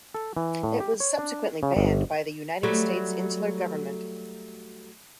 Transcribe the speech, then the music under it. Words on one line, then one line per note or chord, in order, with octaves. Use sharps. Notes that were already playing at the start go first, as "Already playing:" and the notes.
It was subsequently banned by the United States Insular Government.
A4
E3
A2
G4
C#5
D4
C#3
G1
F#3 G3 A3